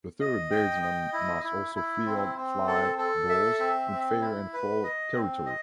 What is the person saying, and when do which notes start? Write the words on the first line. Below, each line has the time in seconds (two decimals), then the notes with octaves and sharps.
The third baseman must also field fly balls in fair and foul territory.
0.21 D#5
0.51 G5
0.83 D#5
1.13 E4
1.44 E4
1.75 E4
2.06 C4
2.37 C4
2.67 A4
2.98 A4
3.29 E5
3.60 C4
3.91 C4
4.21 E4
4.53 B4
4.84 D#5
5.15 C4
5.46 D#5